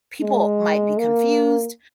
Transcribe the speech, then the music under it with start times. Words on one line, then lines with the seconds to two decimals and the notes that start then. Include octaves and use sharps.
people might be confused
0.22 G#3
0.98 A#3